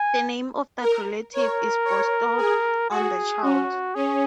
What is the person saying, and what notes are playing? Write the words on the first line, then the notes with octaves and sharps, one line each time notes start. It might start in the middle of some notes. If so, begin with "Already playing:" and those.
The name of that relative is bestowed on the child.
Already playing: G#5
A#4
A#4 C#5
C#5
G#4
F#4 G#4
C#4 F#4
C#4 G#4